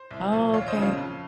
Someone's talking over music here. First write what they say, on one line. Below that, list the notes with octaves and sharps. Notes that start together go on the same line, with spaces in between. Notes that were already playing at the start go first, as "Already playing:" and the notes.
Oh, okay.
Already playing: C5
C2
A#2 F3
D#2 C#5 F5
C5 D#5
C#3 F3
C#5 F5
F2